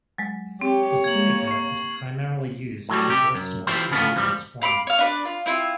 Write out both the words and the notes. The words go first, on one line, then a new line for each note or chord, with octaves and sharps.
The Seneca is primarily used for personal and business flying.
F#3 G#3
C4 G4 C#5
A#3 G#6 F#7
C#6 C7
A2 F#3 G3
C3 G4
F#2
E3 E4 F4 G4 C5
D2 A2 C#3 F3 B3 F4
E2 G#2 F3 G3
F5 B5 C6 D6
C#5 F5
D4 B4 D5
F4
C4 E4 F4